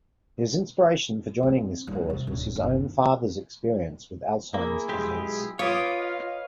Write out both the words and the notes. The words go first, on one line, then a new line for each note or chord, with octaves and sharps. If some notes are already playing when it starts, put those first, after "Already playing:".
His inspiration for joining this cause was his own father's experience with Alzheimer's disease.
C4
D#2 G3
C3
D1
G1 D#2
A#3 E4 G#4
B1 G#3 G4
F4 B4 C#5 F5 D6 D#6
D#5 F5